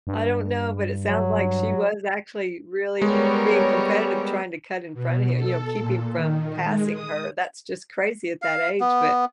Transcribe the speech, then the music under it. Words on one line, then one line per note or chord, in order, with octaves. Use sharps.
I don't know, but it sounds like she was actually really being competitive trying to cut in front of hi you know, keeping from passing her. That's just crazy at that age, but
G2
F#3
G3 G#3 B3 A#4 C#5
B2
A4
A#2
D#3
G#3
D#6
F5
B3